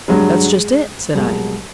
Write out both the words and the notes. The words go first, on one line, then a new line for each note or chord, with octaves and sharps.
"That's just it," said I.
G2 D3 F#3 G#3
C2 B2 F#3 G#3